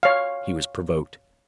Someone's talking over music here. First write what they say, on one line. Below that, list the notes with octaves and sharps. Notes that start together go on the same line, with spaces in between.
He was provoked.
C#5 F5